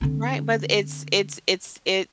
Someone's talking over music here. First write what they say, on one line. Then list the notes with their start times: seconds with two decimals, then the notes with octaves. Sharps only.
Right, but th it's it's it's it
0.01 D3 C4